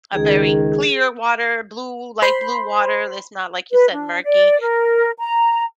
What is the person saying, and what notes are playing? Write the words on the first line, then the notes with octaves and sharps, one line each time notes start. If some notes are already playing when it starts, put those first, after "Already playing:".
a very clear water, blue, light-blue water, it's not, like you said, murky.
C#2 D#3 G#4
C5 B5 C6
B4
D4
D5
A#4
A#5